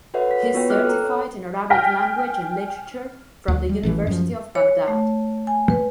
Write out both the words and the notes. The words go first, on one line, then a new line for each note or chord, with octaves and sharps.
He is certified in Arabic Language and Literature from the University of Baghdad.
F#4 A4 B4 C#5 E5 F#5
B6
B3 F4 F#4 B4 C#5 G5
C4 G5 D6 F6 F#6
A4 A#5
C#5
G5 G#5 F6 A#6 B6
D2
G3
A1 A2 E3
F#2 F3
C#5
A3
G#5
B4